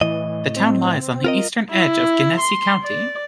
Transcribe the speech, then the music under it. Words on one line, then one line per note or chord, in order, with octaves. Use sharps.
The town lies on the eastern edge of Genesee County.
A2 E3 D#5
C4
F4 A#4 D#5
E4
C6
D5